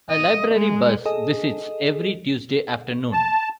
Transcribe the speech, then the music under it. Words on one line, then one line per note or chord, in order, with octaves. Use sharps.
A library bus visits every Tuesday afternoon.
D#5
G#3
G#4 A4 D#5
A5